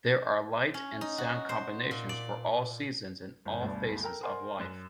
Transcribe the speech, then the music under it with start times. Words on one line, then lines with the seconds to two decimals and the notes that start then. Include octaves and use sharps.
There are light and sound combinations for all seasons and all phases of life.
0.74 C#4
1.01 D#4
1.18 F#4
1.49 C5
1.91 A#2
2.09 D5
3.45 G1
3.61 D2 G2 B2 D5
4.03 A4 A#4 G5 A#5 F6
4.23 A#4 C5 D5 F#5 G#5 C6
4.59 F#2 F#6 E7